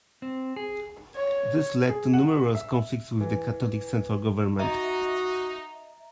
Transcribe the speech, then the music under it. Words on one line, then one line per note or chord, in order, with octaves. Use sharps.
This led to numerous conflicts with the Catholic central government.
C4
G#4
C#5
G#4
F#5
E5
E3
D#4 F#4 D#5 E5 A#5